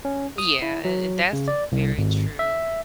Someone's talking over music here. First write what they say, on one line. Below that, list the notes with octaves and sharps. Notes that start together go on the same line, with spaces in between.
Yeah. And and that's very true.
C#4
D#6
E4
F#3
C#3
D5
C2
G#1
E5